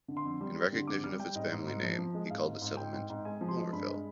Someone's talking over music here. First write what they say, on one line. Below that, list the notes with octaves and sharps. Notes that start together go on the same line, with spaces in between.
In recognition of his family name, he called the settlement "Homerville".
D3
C6
F2
G3
G3
D3
F2 D6
G3 F6
G3 G5
G#2 D#5
G#2
G#2
F3
F3
G#3
G#2 F5
G#2
G#2
G#2 G5
G#2
G#2
G#3 G#5
F3
C6
G#3
G2 B5
G#3